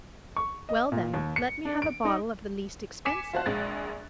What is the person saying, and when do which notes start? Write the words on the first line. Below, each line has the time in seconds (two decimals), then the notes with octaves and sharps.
"Well, then, let me have a bottle of the least expensive."
0.36 C#6
0.69 D#5
0.92 A#2
1.14 D#2
1.36 C#7
1.65 D4
1.82 D7
2.05 D#4
3.05 G#5 D6 B6 C#7 E7
3.33 F4 F#4 C5 F5 A5 F#6
3.46 A#1 G#3 A6